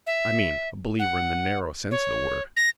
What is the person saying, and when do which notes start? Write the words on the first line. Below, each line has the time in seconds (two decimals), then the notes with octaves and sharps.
I mean, a believer in the narrow sense of the word.
0.07 E5
0.99 F#5
1.91 C#5
2.57 A#6